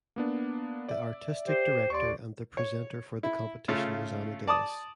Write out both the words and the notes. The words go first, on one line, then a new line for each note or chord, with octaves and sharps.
The artistic director and the presenter for the competition was Amadeus.
A#3 B3 D4
D5 E5
G4 C5
D#2 D5 C6 C#6
C#5
E4
C#3 A3 F4
D5 A5 D6 D#6